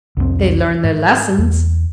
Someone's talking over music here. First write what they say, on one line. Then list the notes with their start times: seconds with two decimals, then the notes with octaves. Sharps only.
"They learn their lessons."
0.17 C2 F2 F3 C4
0.84 G#2
1.38 E2